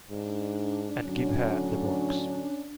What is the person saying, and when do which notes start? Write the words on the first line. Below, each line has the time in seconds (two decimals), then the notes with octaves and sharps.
And give her the works.
0.11 G#2 D4
1.04 A2 D3 F#3 C#4